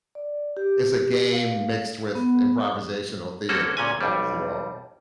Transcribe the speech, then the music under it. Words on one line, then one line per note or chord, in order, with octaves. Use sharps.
it's a game mixed with improvisational theater, you know, 'cause you all
D5
G4
F5
B3
A#3 C4 C#4 F#4 A4
A#2 C#4 G#5
B1 F2 G3